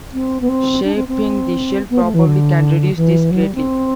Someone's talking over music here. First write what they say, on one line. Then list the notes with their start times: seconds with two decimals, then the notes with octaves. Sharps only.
Shaping the shell properly can reduce this greatly.
0.13 C4
0.40 B3
0.48 C4
0.84 D4
0.95 C4
1.07 C4
1.89 B3
2.01 A3
2.13 E3
2.25 D3
2.96 E3
3.30 F#3
3.43 G3
3.54 C4